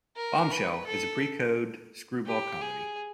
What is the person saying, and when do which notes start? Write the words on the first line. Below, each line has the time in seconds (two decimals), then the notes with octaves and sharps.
"Bombshell" is a pre-code screwball comedy.
0.16 A#4
0.51 B4
0.86 A4
2.26 G4
2.61 G#4